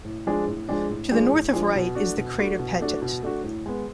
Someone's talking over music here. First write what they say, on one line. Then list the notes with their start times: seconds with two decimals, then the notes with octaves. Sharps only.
To the north of Wright is the crater Pettit.
0.05 A2
0.27 F3 G#3 D4 G#4
0.48 A2
0.69 F3 G#3 D4 G#4
0.90 A2
1.11 F3 G#3 D4 G#4
1.32 A2
1.53 F3 G#3 D4 G#4
1.75 B2
1.95 A3 D4 F#4
2.17 B2
2.39 A3 D4 F#4
2.59 B2
2.81 A3 D4 F#4
3.02 B2
3.23 A3 D4 F#4
3.44 A2
3.66 G#3 B3